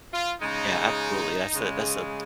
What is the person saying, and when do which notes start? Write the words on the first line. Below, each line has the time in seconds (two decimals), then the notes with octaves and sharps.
Yeah, absolutely that's a that's a
0.14 F4
0.41 C#3 G#3 D#4
1.53 C#3 G#3